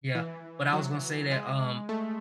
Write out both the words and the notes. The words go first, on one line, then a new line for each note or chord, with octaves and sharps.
yeah. But I was gonna say that, um,
E3
F#3
G#3
A3